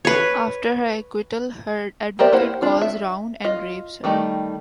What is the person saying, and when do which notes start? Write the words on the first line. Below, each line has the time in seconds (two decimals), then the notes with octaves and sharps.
After her acquittal, her advocate calls round and rapes her.
0.05 B4 C#5
2.19 G4 A#4 C5 D5 E5
2.32 A#3 E4 G4 C5 F#5
2.62 D4 F4
2.82 E5
3.44 F4 D#5
4.04 D#3 G3 A3 D#4